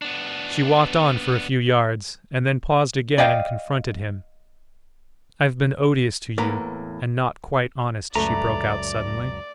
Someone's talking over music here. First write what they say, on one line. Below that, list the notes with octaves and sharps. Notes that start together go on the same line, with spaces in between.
She walked on for a few yards, and then paused again and confronted him. "I've been odious to you--and not quite honest," she broke out suddenly.
B3 D4
D5 D#5 F5 G5
E2 A2 A#3 B4 A#5
C#2 F#2 A3 B4 D5 A#5